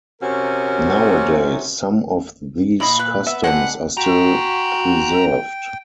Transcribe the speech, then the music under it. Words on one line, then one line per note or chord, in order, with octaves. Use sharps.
Nowadays, some of these customs are still preserved.
C3 C#4 F#4 A#4
A#2 E4 D#5 B5
B4
B3 E5
G#3 C4 D4 F#5
F#4 G5 G#5 A#5